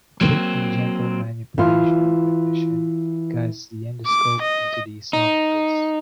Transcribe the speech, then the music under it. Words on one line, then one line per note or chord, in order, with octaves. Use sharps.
Quick and gentle manipulation under vision guides the endoscope into the esophagus.
F#3 A#3 C4
E3 F4
D6
D#5
D#4